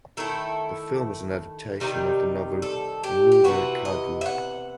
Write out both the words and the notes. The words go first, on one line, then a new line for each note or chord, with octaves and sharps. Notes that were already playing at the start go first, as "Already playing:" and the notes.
The film is an adaptation of the novel "Nuvve Kaadu".
D#3 A3 E4 A4
C3 D#3 G3 D#4
A4
G4
G4
C3 E3 B3 E4 F#4
D#5
E5
F#5